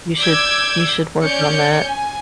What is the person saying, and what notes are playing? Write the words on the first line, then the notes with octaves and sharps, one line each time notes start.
You should you should work on that.
D5 D6 E6 G6 G#6
C#4 C#5 D5 G6 C#7
G#5